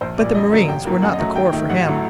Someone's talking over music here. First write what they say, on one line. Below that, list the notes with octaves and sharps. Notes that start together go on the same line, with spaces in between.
But the Marines were not the corps for him.
A#1 C5
A#2 G3 D5
F#2 D#5
D3 F#3 A#3
A1 G5
A2 F#3 A#3
F#2 F#5
D#5
F#3 A3
D#2 G5
D#3 A3
A1 F#5
A2 F#3 A3